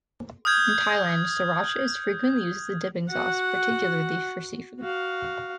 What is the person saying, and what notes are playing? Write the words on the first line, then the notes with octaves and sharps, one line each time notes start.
In Thailand, sriracha is frequently used as a dipping sauce, particularly for seafood.
D#6 F6 G6 G#6
F#4 F#5
F#4 F5